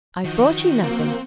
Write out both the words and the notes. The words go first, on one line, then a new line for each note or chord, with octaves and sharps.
'I've brought you nothing.
D#3 F3 F#4 G6
A#3 C4